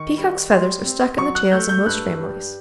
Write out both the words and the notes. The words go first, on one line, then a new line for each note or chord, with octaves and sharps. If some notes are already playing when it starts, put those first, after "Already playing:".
Peacocks' feathers are stuck in the tails of most families.
Already playing: D#3 C#6
G3
G3 C6
C4
F#3 C#6
F#6
A3 G6
G6
G2 F#6
G3